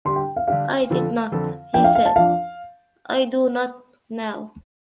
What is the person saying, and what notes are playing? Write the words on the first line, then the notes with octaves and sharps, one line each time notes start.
"I did not," he said, "I do not now".
D3 G3 D4 G4 C6
G5
F5
D3 G3 D4 G4 F5
F2 D3 F3 C4 A4
F2 D3 F3 C4 A4
F2 F3 D4 G5
F5
F5
A5
F2 F3 D4 F5